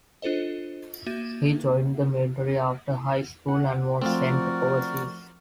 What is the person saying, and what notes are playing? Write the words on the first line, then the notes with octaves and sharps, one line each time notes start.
He joined the military after high school and was sent overseas.
D4 F4 A4 C5 D#5
A#3 F#4 E5 G6 A6 D#7
F#5
F3 A3 C4 F4 F#4 A#4 D5